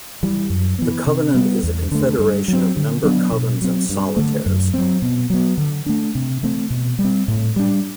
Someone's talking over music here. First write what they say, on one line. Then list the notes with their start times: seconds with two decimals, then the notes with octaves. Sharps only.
The Covenant is a confederation of member covens and solitaires.
0.23 E3 G3
0.50 F#2
0.78 E3 B3
1.07 C3
1.34 G3 B3
1.63 E2
1.91 D3 A3
2.19 G2
2.48 F#3 C4
2.77 D3
3.04 F#3 B3 D4
3.32 B2
3.61 F#3 C4
3.89 G2
4.17 D3 A3
4.46 F#2
4.74 F#3 C4
5.02 B2
5.30 F#3 B3
5.58 D3
5.86 A3 D4
6.15 C3
6.43 E3 A3 C4
6.70 B2
6.99 G3
7.04 C4
7.28 A2
7.56 G3 D4